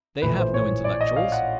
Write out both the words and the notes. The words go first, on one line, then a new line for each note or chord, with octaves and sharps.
They have no intellectuals....
A#1 A2 E3 B4
C5
C#5
D5
D#5
F5
F#5